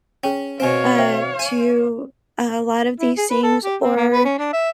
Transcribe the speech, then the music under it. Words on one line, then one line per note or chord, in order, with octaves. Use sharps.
uh, to a lot of these things or,
C#4 G#4 G5
B2 C4 C5 C#5 F5 G#5
C5 E5 G5
G#5
E4
G#4
B4
A4
G4
C4
A#3
B4
C#4
D4
E5